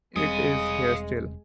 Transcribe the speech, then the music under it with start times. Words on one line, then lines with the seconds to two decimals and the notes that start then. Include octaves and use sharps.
It is here still.
0.16 E1 G3 G#3 C4 F5 G#5 D#6